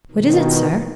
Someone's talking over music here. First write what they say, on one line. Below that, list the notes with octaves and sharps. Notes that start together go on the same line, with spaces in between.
"What is it, sir?"
B2 D#3